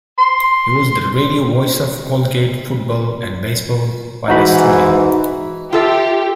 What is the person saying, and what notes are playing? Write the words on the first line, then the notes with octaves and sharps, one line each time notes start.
He was the radio voice of Colgate football and baseball while a student.
C6
G#2 E3 D#4 F#4 B5
F4 G4 A4 E5